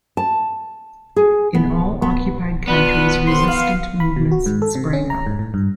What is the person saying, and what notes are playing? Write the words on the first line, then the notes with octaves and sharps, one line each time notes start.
In all occupied countries resistance movements sprang up.
A5
G#4
B3
B3
B3 D4 F4 B4
C2 D#3 C6
F5
B5
B2
F#4
G#2
A4
C3
C#4
A#5
G#2
A2
G2